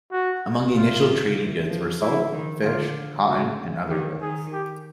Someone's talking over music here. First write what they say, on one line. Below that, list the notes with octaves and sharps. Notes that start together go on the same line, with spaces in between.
Among the initial trading goods were salt, fish, cotton and other goods.
F#4
C3 F4
D3
E3
F3
F3 E4
D#3
D3 F4
C#3 F#4
D#3 G4
D#3 G#4
G4